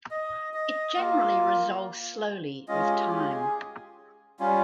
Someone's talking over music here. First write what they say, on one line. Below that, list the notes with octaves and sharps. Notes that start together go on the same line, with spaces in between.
It generally resolves slowly with time.
D#5
D#5
A#3 F4
G#3 C#4 F4 D#5
G4
G4
G#4
G3 C#4 F4